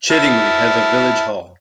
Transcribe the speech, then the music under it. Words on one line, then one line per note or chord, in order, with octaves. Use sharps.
Chiddingly has a village hall.
E4 A5 F6